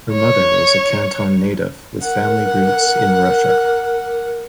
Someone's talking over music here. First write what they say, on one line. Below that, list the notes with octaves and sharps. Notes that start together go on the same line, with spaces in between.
Her mother is a Canton native with family roots in Russia.
C#5
A#4 F#5